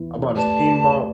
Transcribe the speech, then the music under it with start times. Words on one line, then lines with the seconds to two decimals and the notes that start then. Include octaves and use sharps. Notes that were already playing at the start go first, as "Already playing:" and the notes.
I bought a steam mop.
Already playing: E3 B3 E4 B4
0.37 A3 G4 B4 D5 A5